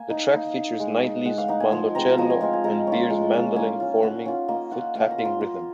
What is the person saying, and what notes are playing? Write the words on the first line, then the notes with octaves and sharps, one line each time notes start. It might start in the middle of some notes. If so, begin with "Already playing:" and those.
The track features Knightley's mandocello and Beer's mandolin forming a "foot tapping" rhythm.
Already playing: A#3 G#5
D#4
A#3
D#4
G#3
D#4
G#3 F#5
F5
D#4 F#5
G#5
F3 C6
G#3 C4 A#5
F3 A#5
G#5
G#3 C4 F5
G#5
G#3 A#5
C#4 F4
G#3
C#4 F4
A#3 G#5
C#4 F4
A#3 F#5
C#4 F4
A#3 D#5
F4 F#5
A#3 F5
A#5
F4
C6
A#3